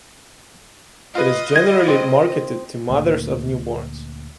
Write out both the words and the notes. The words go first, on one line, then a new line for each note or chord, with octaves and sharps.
It is generally marketed to mothers of newborns.
F4 B4 D#5
G#6
C4
D2 A#2